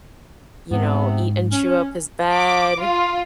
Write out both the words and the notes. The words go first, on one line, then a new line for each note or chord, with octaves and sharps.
you know, eat and chew up his bed,
G#2 C3 B3 C4
C#4
D6
F4